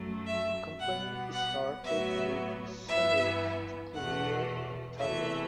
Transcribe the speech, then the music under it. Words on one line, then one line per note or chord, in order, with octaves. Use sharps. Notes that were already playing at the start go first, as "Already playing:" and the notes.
The company started moving some work to Korea and Taiwan.
Already playing: F#2 F#3 A3
E5
B2 G3 B3 F#5
F#5
A2 F#3 B3 E5
G2 E3 B3 E5
E2 B2 A3 F#5
E2 C3 E3 A3 E5